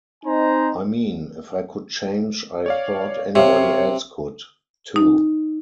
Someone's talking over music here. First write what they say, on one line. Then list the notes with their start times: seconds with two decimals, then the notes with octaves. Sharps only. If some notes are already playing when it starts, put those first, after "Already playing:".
I mean, if I could change I thought anybody else could, too.
0.25 C4 D#4 C5 D#5 G#5 A#5
2.66 C#5 D5 F5
3.35 C3 C#5 F5
4.96 D#4